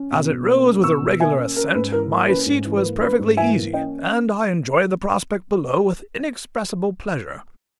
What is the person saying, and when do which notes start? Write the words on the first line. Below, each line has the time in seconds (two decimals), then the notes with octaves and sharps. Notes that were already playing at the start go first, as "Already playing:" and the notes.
As it rose with a regular ascent, my seat was perfectly easy, and I enjoyed the prospect below with inexpressible pleasure.
Already playing: C#4
0.12 B2
0.30 B2
0.48 A#3
0.66 C#4
0.84 B2 C#6 E6
1.02 B2
1.20 A#3 E5 G#5
1.39 C#4
1.56 C#4 A#4
1.74 G#2 B4
1.92 E3 A#4
2.11 A#3
2.29 C#4 B4
2.46 G#2
2.65 E3
2.77 B4
2.83 A#3
3.01 C#4 B4
3.19 G#2
3.37 E3 E5 G#5
3.55 A#3
3.73 C#4 D#5 G5